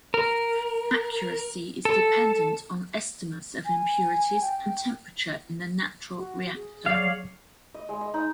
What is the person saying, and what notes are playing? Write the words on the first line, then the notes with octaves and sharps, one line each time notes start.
Accuracy is dependent on estimates of impurities and temperature in the natural reactor.
A#4
A4
G#5
G5
F#4
G#4
F#3 C#5 D5 F5 C7
D#5
G#3
D#5
D#4